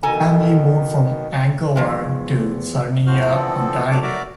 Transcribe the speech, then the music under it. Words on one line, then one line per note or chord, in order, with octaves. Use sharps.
The family moved from Vancouver to Sarnia, Ontario.
B2 D#3 A4 G#5 A#5
E2 D#3 F3 G#3
D#2 A2 F3 F#4 C5 F6
D3 E3 F3 B3 C4 A4
F#3 A3 D4 D6
F#4 A#4 D5 E5 A#5 D6